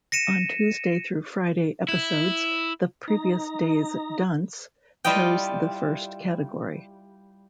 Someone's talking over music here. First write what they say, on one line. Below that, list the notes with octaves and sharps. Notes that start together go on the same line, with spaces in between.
On Tuesday through Friday episodes, the previous day's dunce chose the first category.
A#6 C#7 D#7 E7
E4
D#4 A#5
G3 E4 F4 D#5 G5